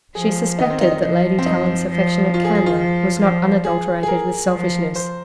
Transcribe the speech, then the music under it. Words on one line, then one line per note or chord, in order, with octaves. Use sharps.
She suspected that Lady Tallant's affectionate candour was not unadulterated with selfishness.
F3 G#4
D#3 D#4
C4
D#4
D#4
F3 D#4
C4
D#4
F3
F4
G#4
G#4
F4
F3
F3
G#4
G#4
A#4
F3
C5